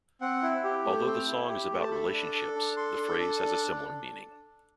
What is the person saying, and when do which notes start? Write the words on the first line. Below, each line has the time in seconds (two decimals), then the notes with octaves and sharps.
Although the song is about relationships, the phrase has a similar meaning.
0.21 C4 F#5
0.43 E4
0.64 G4
0.85 A3
1.07 C4 G5
1.27 E4
1.49 G4
1.71 A3
1.82 A5
1.91 A4 B5
2.12 D4
2.34 A4
2.55 D4
2.77 A4 C6
2.98 D4
3.19 A4
3.41 D4